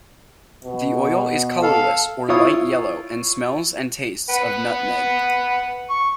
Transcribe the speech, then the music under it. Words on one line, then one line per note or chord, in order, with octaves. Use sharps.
The oil is colorless or light yellow and smells and tastes of nutmeg.
B2
A4 F5
E4 F4 C#5 D#6
B4 F#5
C#6